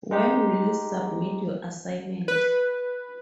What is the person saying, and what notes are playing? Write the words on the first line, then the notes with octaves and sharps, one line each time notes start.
When will you submit your assignment?
G#3 D#4 G4
B4